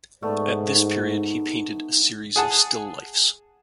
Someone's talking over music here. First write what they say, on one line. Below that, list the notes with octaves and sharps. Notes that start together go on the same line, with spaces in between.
At this period he painted a series of still lifes.
G#2 A3 B3 D5
D#4
G#4 F#5 A5